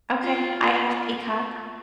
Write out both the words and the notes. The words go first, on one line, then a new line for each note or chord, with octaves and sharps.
Okay, I have Peacock.
F4
F4